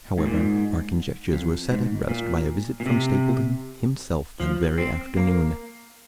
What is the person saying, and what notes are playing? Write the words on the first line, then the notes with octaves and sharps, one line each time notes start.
However, our conjectures were set at rest by a visit from Stapleton himself that very afternoon.
G#2
A#2
G#2
F2
G#2
A#2
A#2
C3
F3
C4
A#3